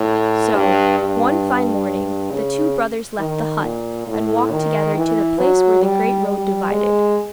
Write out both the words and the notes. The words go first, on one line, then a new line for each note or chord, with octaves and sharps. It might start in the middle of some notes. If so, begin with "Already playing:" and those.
So, one fine morning, the two brothers left the hut, and walked together to the place where the great road divided.
Already playing: A2
G2
G2
C#3
D#3
A#2
A2
D#3
E3
F#3
G3
G3
G#3